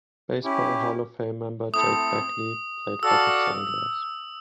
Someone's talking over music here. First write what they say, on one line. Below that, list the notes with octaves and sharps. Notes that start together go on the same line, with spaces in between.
Baseball Hall of Fame member Jake Beckley played for the Soldiers.
C#4 E4 G4
A3 C4 E4 A4 D#6
F#4 A4 D5 F5 A5 E6